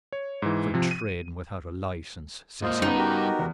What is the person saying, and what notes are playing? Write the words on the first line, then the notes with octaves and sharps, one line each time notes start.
For trading without a licence, says he.
C#5
G#2 E3
C3 F3
D#7
G#2 A#3 F4 C5 D#5
C#3 G3 B3 D#4 B4
F#4 G4 A#4
E2